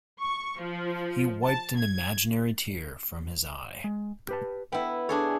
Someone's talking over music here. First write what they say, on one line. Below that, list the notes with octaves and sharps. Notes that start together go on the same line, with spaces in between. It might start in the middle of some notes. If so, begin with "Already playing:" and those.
He wiped an imaginary tear from his eye.
C#6
F3
A5
G#6
G#3
G4 B4 A5
B3 E4 G5
D4 G#4 A4 C#5